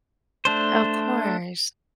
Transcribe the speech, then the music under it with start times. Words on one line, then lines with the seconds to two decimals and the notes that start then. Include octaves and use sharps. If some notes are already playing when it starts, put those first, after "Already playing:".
Of course.
0.45 A3 D4 C5